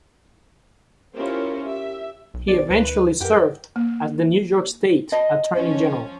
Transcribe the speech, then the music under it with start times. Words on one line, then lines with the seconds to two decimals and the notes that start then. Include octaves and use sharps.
He eventually served as the New York State Attorney General.
1.15 C#4 E4 F4 G4 A#4 C5
1.62 G4 E5
2.34 B1
2.47 B2 D#3 D5
2.70 D2 B4
3.20 F#2 G4 A#4 B4 F#5
3.76 A#3
5.12 D#5 A5 B5
5.54 F3 C#4